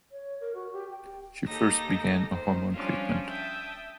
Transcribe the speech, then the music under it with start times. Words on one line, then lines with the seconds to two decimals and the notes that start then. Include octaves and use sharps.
She first began a hormone treatment.
0.11 C#5
0.41 A#4
0.54 F#4
0.73 G4
0.91 G5
1.46 D#2 D#4 G4 A4 A#6
2.31 D#3 C5
2.74 F3 G3 C#4 D4 F4
3.27 E5 G5 A5 D#6